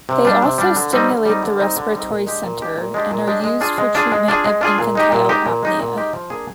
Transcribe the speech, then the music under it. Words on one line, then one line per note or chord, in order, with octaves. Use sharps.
They also stimulate the respiratory centre, and are used for treatment of infantile apnea.
C3
G3 D4
C3
G3 D4
D3
G3 C4 D#4
D3
G3 C4 D#4
D3
G3 C4 D#4
D3
G3 C4 D#4
A#2
G#3 D4 G4
A#2
G#3 D4 G4
A#2
G#3 D4 G4
A#2
G#3 D4 G4
G#3
D4 F4 G#4
G#3
D4 F4 G#4
G#3
D4 F4 G#4
G#3
D4 F4 G#4
A#2
G#3 D#4 G4
A#2
G#3 D#4 G4
A#2
G#3 D#4 G4
A#2
G#3 D#4 G4
F3
A#3 D4 G#4